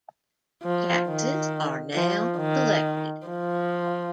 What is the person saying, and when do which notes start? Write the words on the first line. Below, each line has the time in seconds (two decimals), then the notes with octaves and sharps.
Taxes are now collected.
0.63 F3
1.07 D#3
1.94 F3
2.39 D#3
3.28 F3